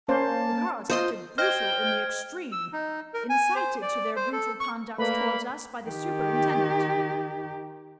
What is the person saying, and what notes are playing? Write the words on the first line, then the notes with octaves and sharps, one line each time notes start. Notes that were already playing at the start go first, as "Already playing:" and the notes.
The guards acted brutal in the extreme, incited to their brutal conduct towards us, . . , by the superintendent.
A#3 C#4 C5 A5
F4 C5 D#5 C6
C5 D#5 G5 F6 G#6
E6
D#4
A#4
G#5
C5
D5
C5
A4
C#6
A3 A#3 A#4 B4 D5 B5
D#3 G4